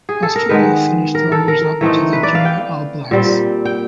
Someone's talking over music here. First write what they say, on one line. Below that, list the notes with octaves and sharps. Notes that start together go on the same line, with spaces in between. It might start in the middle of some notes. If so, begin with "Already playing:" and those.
Australia finished runners up to the Junior All Blacks.
G#4
A4
A#4
D#3 G#3 B3 B4
A#4
A4
A#4
E3 A3 C4 D#4
B4
D5
F5
G5
A#2 G3 C4
G5